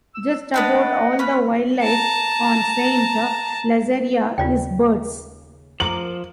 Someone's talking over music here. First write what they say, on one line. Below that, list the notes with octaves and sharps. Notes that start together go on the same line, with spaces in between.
Just about all the wildlife on Saint Lazaria is birds.
E6
B3 D4 D#5 F#5 B5
C#4 B4 B5
A5 A#5
D#2 C#3 F4 D5 G5
F3 A#4 D6 F#7